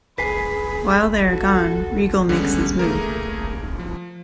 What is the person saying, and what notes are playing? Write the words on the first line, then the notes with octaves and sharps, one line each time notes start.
While they are gone, Regal makes his move.
G#4 B4 G#5 B5 B6 C7
F#4 A4
D3 G3 G#3 B3 C#4
A3 A#3 G#4 A#4
F3